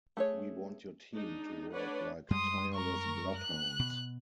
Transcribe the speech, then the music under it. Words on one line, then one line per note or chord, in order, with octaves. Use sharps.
We want your team to work like tireless bloodhounds.
A3 G#4 C#5
G#3 D4 D#4
A3 D4 B4 C#5 D5 F#5
F#2 G3 G#3 C6 D#6
A#4 C#6
F#6
B2